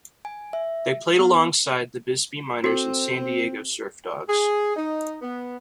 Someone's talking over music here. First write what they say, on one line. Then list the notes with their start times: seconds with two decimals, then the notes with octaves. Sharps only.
They played alongside the Bisbee Miners and San Diego Surf Dawgs.
0.25 G#5
0.53 E5
1.19 B3
2.64 C4 F#4 A4
4.29 G#4
4.77 D#4
5.22 B3